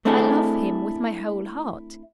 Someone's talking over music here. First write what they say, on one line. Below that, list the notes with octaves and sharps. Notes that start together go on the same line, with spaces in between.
"I love him with my whole heart."
A3 C4 D4 E4 G#4 A4